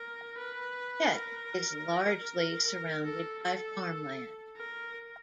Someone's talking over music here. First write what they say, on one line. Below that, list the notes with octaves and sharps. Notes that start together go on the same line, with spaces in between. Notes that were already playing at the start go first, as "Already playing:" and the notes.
Hett is largely surrounded by farmland.
Already playing: A#4
B4
A#4
A#4
A4
A4
A#4